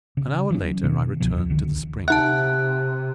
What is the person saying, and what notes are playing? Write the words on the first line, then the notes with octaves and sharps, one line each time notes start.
An hour later I returned to the spring.
C#3
E3 F#3 C#4
B2 D#3
D1 C#2 B2 F3
D#2 F3
C#2 D3 D#3
C3 D#4 E5 F#5 A5 F#6